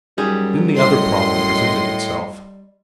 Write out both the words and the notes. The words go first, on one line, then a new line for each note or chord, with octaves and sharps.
Then the other problem presented itself.
F#2 G3 D#4 G#4
A2 D#5 C6